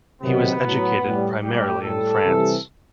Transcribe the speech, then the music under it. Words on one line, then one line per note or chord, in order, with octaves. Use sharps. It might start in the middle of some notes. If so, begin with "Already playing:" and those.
He was educated primarily in France.
C3 D#3 F#3 B3
A2 F#3
A2 G3
A2 G3 G4
A2 G3 A4
C3 E3 G3